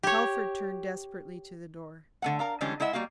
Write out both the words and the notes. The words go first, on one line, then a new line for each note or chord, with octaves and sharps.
Telford turned desperately to the door.
G4 C#5
D3 A3 F#5
A#4 F5 A#5
D3 E3 G3 G#3 C#4 D4
G#3 E4 D#5 E5 F#5
G3 A#3 F#4 F5